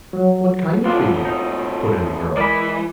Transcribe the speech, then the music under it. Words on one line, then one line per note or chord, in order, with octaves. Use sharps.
"What kind of figure?" put in the girl.
F#3
A2 C4 D4 F4
D#4
E3 G#3 A#4 D5 B5